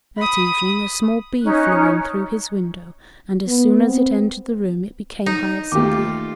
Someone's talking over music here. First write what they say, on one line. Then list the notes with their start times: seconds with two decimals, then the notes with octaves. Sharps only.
That evening a small bee flew in through his window, and as soon as it entered the room it became Hyacinthia.
0.17 B5 D#6
1.43 C#4 D#4 F#6
3.47 B3
3.86 C4
5.26 D#4
5.72 D#2 A3 F4 G4 D6